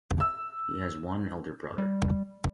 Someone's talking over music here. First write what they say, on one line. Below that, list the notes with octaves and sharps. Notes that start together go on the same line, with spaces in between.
He has one elder brother.
E6
G3